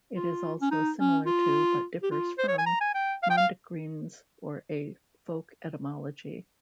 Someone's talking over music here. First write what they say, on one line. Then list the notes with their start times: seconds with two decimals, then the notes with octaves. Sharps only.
It is also similar to, but differs from, mondegreens or a folk etymology.
0.15 F4
0.61 C#4
0.71 D#4
0.99 C#4
1.26 F4
2.03 G4
2.11 F4
2.38 C5
2.48 C#5
2.58 G#5
2.66 A#5
2.81 G#5
2.94 G5
3.23 F5
3.30 G5
3.37 F5